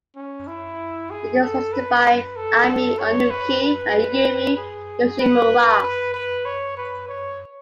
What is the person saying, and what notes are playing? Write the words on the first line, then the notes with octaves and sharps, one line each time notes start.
It was hosted by Ami Onuki and Yumi Yoshimura.
C#4
E4
G#4
A4
B4
B4
A4
A4
C#5
B4
B4
G#4
B4
B4
B4
C#5
B4
C#5